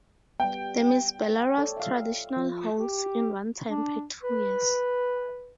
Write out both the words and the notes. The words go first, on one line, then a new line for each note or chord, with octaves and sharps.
The Miss Belarus traditionally holds in one time per two years.
G3 B3 G5
A4 C#5 D5
E5 F5
F3
G4
D4
B4